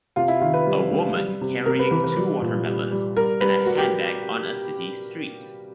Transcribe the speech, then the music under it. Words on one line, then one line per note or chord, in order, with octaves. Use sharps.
A woman carrying two watermelons and a handbag on a city street.
C3 F4
E4
D#3 F4
B4
G3
G3
G3
C3
C3 A#4
B4
E3 B4
B4
G3
A#2
G3
G3
G3 A#4
G3 B4
G3 F#4
G4